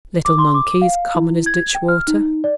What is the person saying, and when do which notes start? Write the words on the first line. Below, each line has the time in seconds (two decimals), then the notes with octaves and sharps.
Little monkeys common as ditchwater.
0.25 D6
0.38 C6
0.54 D6
0.82 F5
1.15 E4
1.46 G#6
1.75 G5
1.88 F6
2.08 D#4
2.44 D5